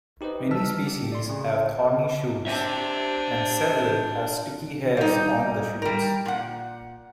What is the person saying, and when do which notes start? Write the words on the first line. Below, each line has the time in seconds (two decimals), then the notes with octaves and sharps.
Many species have thorny shoots, and several have sticky hairs on the shoots.
0.21 D#4 G4 B4 C5 D#5
0.51 A5 E6 F6 B6
0.73 G3
0.87 G4
1.12 D5 C6
1.29 C#3
2.47 D4 C5 E5
4.97 G3 D#4
5.82 G3 A#4
6.26 A#2 F#5